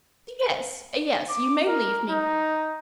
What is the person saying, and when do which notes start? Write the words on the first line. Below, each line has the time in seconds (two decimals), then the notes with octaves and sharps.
"Yes, yes, you may leave me."
1.30 D6
1.67 A#4
2.10 D#4